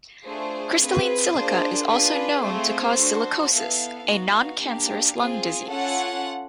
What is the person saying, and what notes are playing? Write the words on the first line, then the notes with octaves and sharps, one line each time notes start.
Crystalline silica is also known to cause silicosis, a non-cancerous lung disease.
A3 D4 F4 G#4 C5
C4 F4 G#4 B4
A#3 D4 F4 G#4 C5
D4 F4 G#4 B4
A3 C4 F4 G#4 C5
D4 F#4 A4
B3 E4 A4 F5
B3 D#4 F#4 F5
A#3 D4 G4
C4 F4 G#4
C#4 F4 A4 F#5